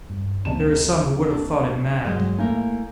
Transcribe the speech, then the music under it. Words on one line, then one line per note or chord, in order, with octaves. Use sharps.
There are some who would have thought him mad.
G2
F#1 D2 C4 A5 E7
D4
G2 F#3 G#3
A2 A#3 F5 G#5 A#5 G6